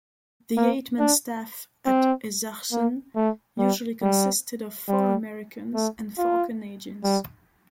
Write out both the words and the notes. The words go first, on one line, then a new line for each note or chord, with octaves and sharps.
The eight-man staff at Isachsen usually consisted of four Americans and four Canadians.
A#3
D4
C4
A#3
A3
G3
G3
G3
A3
F4
G3